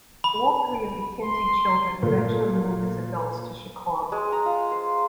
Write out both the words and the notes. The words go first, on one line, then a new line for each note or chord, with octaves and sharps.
All three of the Kinzie children eventually moved as adults to Chicago.
B5
C6
A#2 A3
G#3
A#5
F4
C5